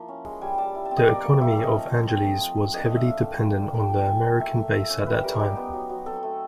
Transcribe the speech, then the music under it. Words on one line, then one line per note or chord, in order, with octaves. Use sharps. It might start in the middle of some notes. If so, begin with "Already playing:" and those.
The economy of Angeles was heavily dependent on the American base at that time.
Already playing: F3 A#3 E4
C#4
G#3
G3 G#5
G3 A5
E4
A5
C4
D#5
A#3 D5
D5
A#3
F4 E5
E5
C#4
D#5
F3
F3
C4
A3
F4
F3
D4 D#5
D#5
A3
E5
A3 F5
A3
F4
D4
F3 G5
F3
G5
D#4 G#5
A#3
A3 E5
A3
F4 E5
C#4
G3 B4
G3 A#4
D#4 G4
B3
F#3
F#3
C4 A4
A3